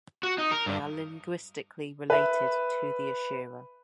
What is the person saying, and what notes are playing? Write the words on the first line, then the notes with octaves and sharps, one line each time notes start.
They are linguistically related to the Eshira.
F#4
D#4
A#4
G2
B4 E5